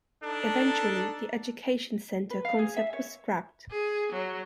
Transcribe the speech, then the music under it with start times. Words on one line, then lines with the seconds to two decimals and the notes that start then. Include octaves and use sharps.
Eventually the "Education Center" concept was scrapped.
0.24 D4 D#4 A4
2.30 B4
2.45 F5
2.59 G#4
2.77 E5
2.93 C#5
3.71 G#4
4.12 F#3